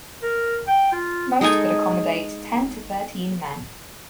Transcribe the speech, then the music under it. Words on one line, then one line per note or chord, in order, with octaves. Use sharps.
Most could accommodate ten to thirteen men.
A#4
G5
F4
G#3 D#4 A4 G#5